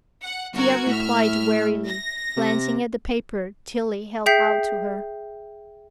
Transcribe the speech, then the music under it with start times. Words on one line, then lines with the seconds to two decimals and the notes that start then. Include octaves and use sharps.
Thea replied wearily, glancing at the paper Tillie held out to her.
0.23 F#5
0.53 G1 F#4 A#4 G#6
0.87 A2 E5 F6
1.87 A#6
2.37 C3
4.26 G#4 E5 G5 G6 B6 C7